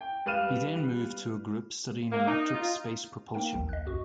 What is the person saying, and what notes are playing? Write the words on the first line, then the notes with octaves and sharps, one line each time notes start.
He then moved to a group studying electric space propulsion.
G5
G3 B4 F5 F6 D#7 E7
A#3
D#4
F4
A#3 D#4 A#4 G5
A#1 D#2
D#5 F#6
C2 F#2 F#4 C#6